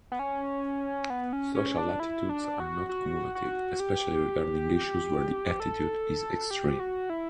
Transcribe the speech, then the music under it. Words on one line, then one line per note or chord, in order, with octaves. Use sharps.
Social attitudes are not cumulative, especially regarding issues where the attitude is extreme.
B3
C#4
B3
C#4
C#4
D4
E4
D4
F#4
F#4
F#4
G4
A4
G4
F#4
E4